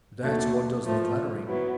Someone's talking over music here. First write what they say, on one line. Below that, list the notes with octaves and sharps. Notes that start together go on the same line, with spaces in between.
That's what does the flattering.
D#2 D3 F#3 A3
A2 F3 A3
F#3 B3 E4